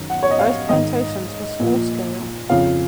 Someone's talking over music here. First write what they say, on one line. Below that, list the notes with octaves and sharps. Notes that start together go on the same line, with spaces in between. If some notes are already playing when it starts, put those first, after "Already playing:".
Both plantations were small scale.
Already playing: F#2 D#3
F#5
C#5
D#5
F5
G#2 D#3 D#5
A#2 F3
F2 C#3 F3 F5